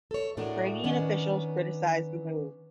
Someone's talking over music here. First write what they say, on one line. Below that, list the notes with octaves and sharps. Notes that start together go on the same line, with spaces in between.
Ukrainian officials criticized the move.
A4 C#5
A2 A3 D4 F#4 G#4 A#4
D#3 B3 C#4 D4